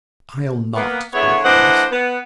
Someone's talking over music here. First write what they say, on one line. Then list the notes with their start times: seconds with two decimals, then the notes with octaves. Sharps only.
"I'll not," spoke Alice.
0.76 A#3 B3
1.14 D3 B3 E4 G#4 C#5
1.45 E3 A3 D4 C5 D#5 F#5
1.92 B3